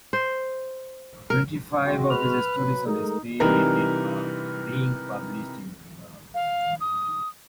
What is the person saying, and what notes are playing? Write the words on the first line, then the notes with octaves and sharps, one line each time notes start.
Twenty five of his stories on Spain ended up being published in Regards.
C5
A#4
G#3 C4 F#4
B4 F6
F#3
G#3 A3 D#4 A#4
C3 E3 G3 D#4 A#4 B4
F5
D#6